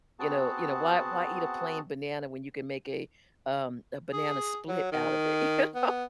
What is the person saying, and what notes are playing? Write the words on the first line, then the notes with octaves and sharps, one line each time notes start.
you know you know, why why eat a plain banana when you can make a, um, a banana split out of it? You know,
B3 C4 F#4 G#4 F#5 A5
G#4
F#3
D#3
B3